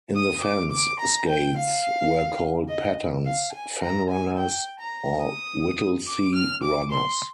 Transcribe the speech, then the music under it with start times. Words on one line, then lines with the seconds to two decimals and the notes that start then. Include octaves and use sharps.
In the Fens skates were called pattens, fen runners, or Whittlesey runners.
0.16 D#6
0.43 D6
0.71 D6
1.00 A#5
1.28 G5
1.57 F5
2.68 D#5
3.26 F5
3.53 G#5
3.82 A#5
4.10 G#5
4.38 G5
4.80 A#5
5.23 D#6
6.07 D6
6.35 F6
6.64 D6
6.92 C6